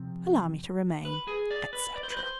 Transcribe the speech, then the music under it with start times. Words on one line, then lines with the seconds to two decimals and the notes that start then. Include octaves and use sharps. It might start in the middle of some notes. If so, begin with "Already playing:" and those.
Allow me to remain, etc.
Already playing: C3 F3 C4
1.05 B4
1.27 G#4
1.51 D5
1.73 B4
1.96 D5
2.03 C5
2.10 B4
2.17 C5